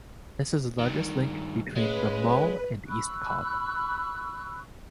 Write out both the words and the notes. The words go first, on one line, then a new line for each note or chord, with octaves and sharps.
This is the largest link between the mall and east Cobb.
G2 D#3
C#3 G#3 B4
B5 C#6 E6 F#6